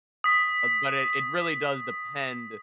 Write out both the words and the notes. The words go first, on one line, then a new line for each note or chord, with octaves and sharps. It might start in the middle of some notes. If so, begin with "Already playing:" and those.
um, but it it really does depend
D#6 B6